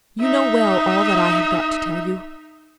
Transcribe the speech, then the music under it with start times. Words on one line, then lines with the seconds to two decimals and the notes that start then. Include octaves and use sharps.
You know well all that I have got to tell you.
0.22 D#4 E5